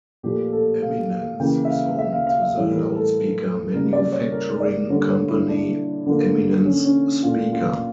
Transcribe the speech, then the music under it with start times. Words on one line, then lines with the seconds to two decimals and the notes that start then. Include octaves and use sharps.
Eminence is home to the loudspeaker manufacturing company, Eminence Speaker.
0.23 A#2 F3 A3 G4
0.52 A4
0.82 F5
1.11 F5
1.40 C#3 E3 A#3 G5
1.65 E5
1.70 F5
1.99 E5
2.12 F5
2.27 F5
2.42 E5
2.56 A2 E3 G3 C#5
2.76 A#4
2.96 A4
3.73 C#3 G3 A#3 A#4
3.93 D5
4.12 C#5
4.32 A#4
4.60 D5
4.90 D3 G3 A#3 C#5
5.10 C#5
5.28 E4
5.48 D4
6.06 D3 F3 A#3
6.66 C#4
6.85 C#4
7.23 A#2 A3 F4
7.53 F4